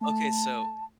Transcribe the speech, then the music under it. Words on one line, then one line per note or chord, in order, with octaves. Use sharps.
Okay, so,
A3 A5